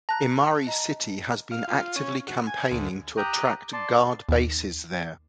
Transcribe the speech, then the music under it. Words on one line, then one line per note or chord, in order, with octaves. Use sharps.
Imari City had been actively campaigning to attract guard bases there.
A5 A#5 F#6 A#6
D#5 A#5
F5
F4
C#4
F#4
G#5
D2
G4 G5 A#5 D#6 F#6
D5 A5 C6
D#2